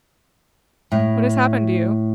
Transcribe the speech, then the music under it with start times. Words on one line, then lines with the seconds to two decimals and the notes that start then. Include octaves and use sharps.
What has happened to you?
0.92 A2